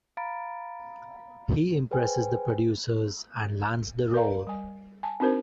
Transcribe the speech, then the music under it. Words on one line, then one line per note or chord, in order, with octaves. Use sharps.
He impresses the producers and lands the role.
F5 A#5 B5 A6 D7
G#4 B4 C5 G5 G#5
A#4 D5 F5 A#5
G3 G#5
G#5 A5
C4 D4 D#4 F#4 A#4 C5